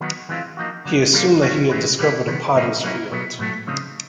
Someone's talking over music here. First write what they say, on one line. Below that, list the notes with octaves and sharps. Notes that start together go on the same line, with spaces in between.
He assumed that he had discovered a potter's field.
D#3 F#3 B3 D#4 F#4
E3 G#3 C4 F4
F3 A#3 D#4 F#4
D3 F#3 B3
G3 A#3 D4 F4
F#3 A3 C#4 F#4
A2 E3 G#3 B3 E4
E3 G3 B3 E4
C3 D#3 F#3 B3
A2 F3 A#3 C#4
F#3 A#3 C#4 E4
B2 F#3 B3
A2 F#3 A3
C#3 F3 G#3 C4 D#4